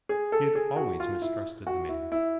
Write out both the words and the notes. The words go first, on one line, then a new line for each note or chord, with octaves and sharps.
She had always mistrusted the man.
G#4
A4
G#4
F#4
F4
E4
F#4
E4
E4